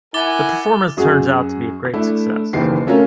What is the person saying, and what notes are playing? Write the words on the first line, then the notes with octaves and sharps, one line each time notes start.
The performance turns out to be a great success.
E4 A#4 F#5 G#5 D6 A6 G7
F#2 F#4 G#4
A3 D4 E4
F#1 D#2 D#3 E3 C7
A3 C#4 F4 A#4